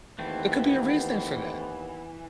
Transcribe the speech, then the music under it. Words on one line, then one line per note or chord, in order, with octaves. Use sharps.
there could be a reason for that.
D#2 E3 A3 B3 C4